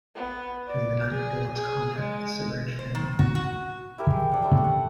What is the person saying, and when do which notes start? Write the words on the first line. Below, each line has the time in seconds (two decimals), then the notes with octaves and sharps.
During the night, they lost contact with the submerged enemy.
0.15 B3
0.68 D5
1.10 G#4
1.55 G#4
1.99 G#3
2.79 C5
2.95 D#3
3.19 F#4
3.35 F#4
3.98 E4 G4 A#4 G#5
4.10 G#3
4.30 D4 F#5 G5
4.42 G3 A4 E5 C#6
4.64 F#5